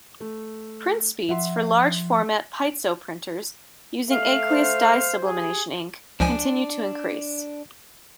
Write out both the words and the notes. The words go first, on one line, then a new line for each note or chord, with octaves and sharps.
Print speeds for large-format piezo printers using aqueous dye sublimation ink continue to increase.
A3
F3 E5 F#5 C6
A3 F5
C5
G4 G#4
C#2 F3 D4 G#5